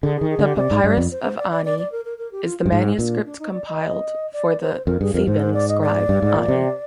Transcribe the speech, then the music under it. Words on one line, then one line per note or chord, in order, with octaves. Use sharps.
The "Papyrus of Ani" is the manuscript compiled for the Theban scribe Ani.
D3 G#4
G#4
D#3
G#4
D3 G4
C3 D5
G#2
G2
F2
C5
C5
D5
D5
D5
D5
A#4
A#4
A#4
G4
F4
F4
G2
G#2
A#2 D4
D4
D#4
D5
D#5
D5
C5
F2 A#4
G2 G#4
F2 A#4
G#2 C5
C5
D5
D#5
D5
G2
G#2
A#2
C3